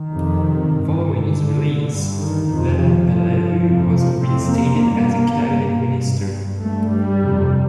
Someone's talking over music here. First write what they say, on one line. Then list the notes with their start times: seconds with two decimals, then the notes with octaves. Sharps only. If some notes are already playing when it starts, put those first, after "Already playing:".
Following his release, Lalabalavu was reinstated as a Cabinet Minister.
Already playing: D#3
0.12 F2 C3
0.70 G2
1.00 D3
1.30 G2
1.89 G2
2.19 D#3
2.47 F2
2.52 C3
2.78 F3
3.06 G2
3.66 F2 C3
3.96 F3
4.25 F2 C3 C4
4.54 A#3
4.84 G2
5.43 G2
6.02 G2
6.61 G2 A3
6.90 G3
7.20 F2 C3